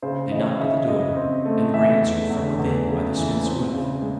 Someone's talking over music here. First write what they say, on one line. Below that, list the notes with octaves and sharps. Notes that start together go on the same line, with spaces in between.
They knocked at the door, and were answered from within by the smith's wife.
C#3 C5
E3 D#5
C#5
D#5
C#3 E5
C#3 D#5
C4
A3
E3 E5
E2
E2
E2
C#3
E3
C4
C#3
G#3